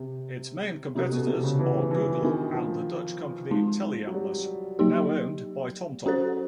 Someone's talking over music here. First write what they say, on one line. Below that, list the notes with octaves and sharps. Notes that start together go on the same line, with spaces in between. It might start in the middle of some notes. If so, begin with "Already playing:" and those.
Its main competitors are Google and the Dutch company TeleAtlas now owned by TomTom.
Already playing: C3
C3 C#4 F#4 A4
B2
C3
C#3
E3
E3
D#3 B3 D4 F#4
F3
G#3 C4 D#4
F#3
G3
F#3 A#3 D#4 G4
F#3 C#4 F#4 A4 C5